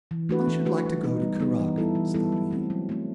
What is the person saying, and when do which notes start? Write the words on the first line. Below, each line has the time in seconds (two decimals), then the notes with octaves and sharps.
"I should like to go to Kuragin's," thought he.
0.11 E3
0.29 A3 D4 F#4 B4
0.47 E3
0.65 A3 D4 F#4 B4
0.85 G3
1.04 B3 D#4
1.22 G3
1.40 B3 D#4
1.59 E3
1.78 G3 B3 E4 A4
1.95 E3
2.14 G3 B3 E4 A4
2.32 F#3
2.51 A3 C4
2.70 F#3
2.89 A3 C4